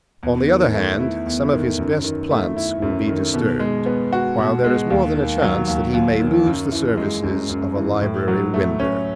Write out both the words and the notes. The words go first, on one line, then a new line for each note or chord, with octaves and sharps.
On the other hand, some of his best plants will be disturbed, while there is more than a chance that he may lose the services of a library window.
E2
D#3
A3
E4
E2
D#3
F#2
D#3
A3
E4
F#2
D#3
B2
G#3
B3
F#4
B2
G#3
D#2
D#3
F#3
D#2
D#2
D#3
F#2
E3
G#3
F#2
F#2
E3
A2
F#3
A3
C#4